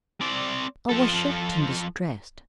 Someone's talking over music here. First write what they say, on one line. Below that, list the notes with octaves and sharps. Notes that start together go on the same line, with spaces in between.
I was shocked and distressed.
C4 D5
F3 A4